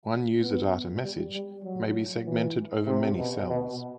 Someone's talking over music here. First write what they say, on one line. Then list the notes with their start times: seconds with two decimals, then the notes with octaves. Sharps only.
One user data message may be segmented over many cells.
0.42 B3
1.03 G3
1.33 G3
1.64 F#3
2.25 E3
2.87 C3
3.18 B2
3.48 B2